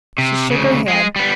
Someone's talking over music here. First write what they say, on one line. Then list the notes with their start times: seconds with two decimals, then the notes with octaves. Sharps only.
She shook her head.
0.18 C3
0.51 D2 C#3
0.88 G#3 G#4
1.16 G3 B3